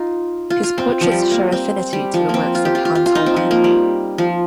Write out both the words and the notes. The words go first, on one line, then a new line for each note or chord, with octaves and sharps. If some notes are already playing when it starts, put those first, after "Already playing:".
His portraits show affinity to the works of Hans Holbein.
Already playing: D#4 F4
F4
F4
C4
F3
G3
A#3
C4
G3
F3
A#3 C4
F4
G4
F4
F4
F4
F4
D#4
C4
F3
A#3
G3
F3